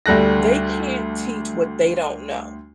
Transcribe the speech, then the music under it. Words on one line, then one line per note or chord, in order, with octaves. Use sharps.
they can't teach what they don't know.
D2 G3 A4 F#6 A#6